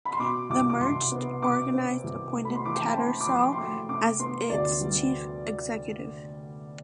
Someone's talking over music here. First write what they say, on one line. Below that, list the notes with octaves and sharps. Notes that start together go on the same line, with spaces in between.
The merged organised appointed Tattersall as its chief executive.
B5
C6
B2 D6
C2 D6
D6
C2 C6
B3
B2 D6
C4
C2
A3
B5
C6
E3 D6
G5
A5
B5
C4 C6
D6
F2 C6
C6
A3 D6
C3 D6
B3 C6
D2 D5
G3